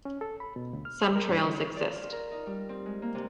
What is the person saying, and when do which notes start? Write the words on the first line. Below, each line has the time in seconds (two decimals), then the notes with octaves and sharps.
Some trails exist.
0.05 C#4
0.21 A4
0.40 B5
0.56 B2
0.73 D2
0.85 F6
1.03 E6
1.16 A#4
1.29 G2
1.44 D3
1.77 D5
1.94 F4
2.12 A#4
2.31 D#4
2.46 G3
2.69 C4
2.86 G#3
3.02 A#3
3.15 C3